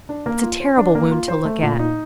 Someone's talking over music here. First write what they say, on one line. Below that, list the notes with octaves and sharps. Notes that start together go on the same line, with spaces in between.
"It's a terrible wound to look at."
D4
A#3
F4
C5
D4
A#3
F4
C5
A3
A#2
D#4